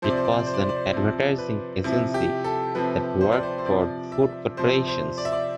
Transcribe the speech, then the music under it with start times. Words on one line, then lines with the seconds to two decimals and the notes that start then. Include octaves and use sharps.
It was an advertising agency that worked for food corporations.
0.02 C3 F3 C5
0.10 D5
0.17 C5
0.24 D5
0.32 C5
0.39 D5
0.47 C5
0.54 D5
0.61 C5
0.69 D5
0.76 C5
0.93 C3 F3
1.38 B4
1.84 C3 F3 E4
2.14 G4
2.44 A4
2.75 C3 F3 B4
3.21 C5
3.32 D5
3.43 C5
3.58 C5
3.66 C3 F3 D5
4.12 E5
4.57 C3 F3 C5
4.88 C5
5.18 D5
5.25 E5
5.32 D5